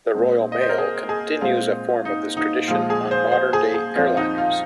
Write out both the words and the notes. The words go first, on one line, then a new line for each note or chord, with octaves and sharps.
The Royal Mail continues a form of this tradition on modern day airliners.
A#2 G#3 C4
D#5
C5
A#4
G#4
G#4
A#2 G#3 C4 F4
D#4
D#4
A#2 F3 G#3 F4
G#4
C5
C5
G#4
G#4
F2 F3 C4 F4
D#4
F4